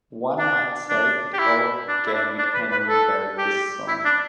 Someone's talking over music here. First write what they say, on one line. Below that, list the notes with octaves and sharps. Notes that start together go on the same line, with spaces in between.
One might say it all began with Henri Bergson.
D4
D4
G4
E4
D4
E4
D4
D4
B4
B4
A4
G4
E4
D4